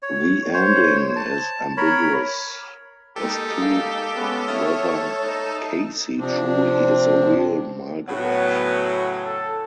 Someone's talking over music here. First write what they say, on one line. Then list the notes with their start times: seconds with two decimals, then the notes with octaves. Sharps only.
The ending is ambiguous as to whether Casey truly is the real Margaret.
0.02 C#5
0.54 C5 C#5
1.16 A5
1.77 A#4 C#5 B5
3.16 G#3 A#3 D#4 G4 A4
3.62 F5
4.14 G#3 B3 C#4
4.48 C#5 E5 D#6 F6
4.83 A5
5.22 D#4
6.18 C3 F3 C4 D4
8.08 A2 C#3 F#3 B3
9.24 A4